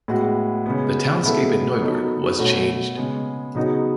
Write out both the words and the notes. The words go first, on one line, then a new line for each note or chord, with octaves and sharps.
The townscape in Neuburg was changed.
A2 G#3 B3 F#4
C#3 G#3 B3
C#3 G#3 B3 E4 A4
F#3 B3 D#4 A4
B2 A3 C#4 F#4 A4
C#3 G#3 B3
C#3 F#3 B3 D#4 F#4